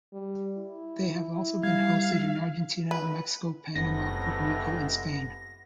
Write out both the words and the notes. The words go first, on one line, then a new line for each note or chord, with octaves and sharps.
They have also been hosted in Argentina, Mexico, Panama, Puerto Rico, and Spain.
G3
E4
G3 F5 G#6
B4
F#1 C#2 A2 C3 B3 C#4 A#6